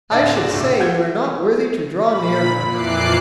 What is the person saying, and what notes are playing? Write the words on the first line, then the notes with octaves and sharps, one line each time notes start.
I should say you are not worthy to draw near her.
D1 D3 D#4 D5 E5 F5
F#4 G#4 D5
G1 C2 A2
D6 E6
F5 F#5 G6 G#6
A#2 B5
F2 A#2 E3 D6 F#6 C7